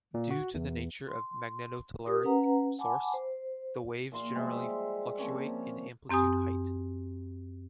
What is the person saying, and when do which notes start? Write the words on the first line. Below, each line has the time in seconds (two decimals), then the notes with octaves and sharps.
Due to the nature of magnetotelluric source, the waves generally fluctuate in amplitude height.
0.14 A#2
0.31 F#4
0.54 E2
1.08 C6
2.06 G4 A#4 D#6
2.24 C#4 B4 F#5 A#5
2.79 F#5 G#5 A5 B5 D6
3.14 C5
4.12 A#2 F4 C6 C#6
4.34 G3 G#3 C5 E5
5.19 F3 A#3 C4 C#4
6.09 F#2 C4 G4 G#5 D#6